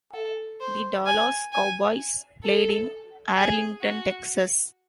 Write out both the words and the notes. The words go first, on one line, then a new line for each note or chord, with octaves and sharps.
The Dallas Cowboys play in Arlington, Texas.
A4
C5
G#5
G#5
A4
G#4
F#4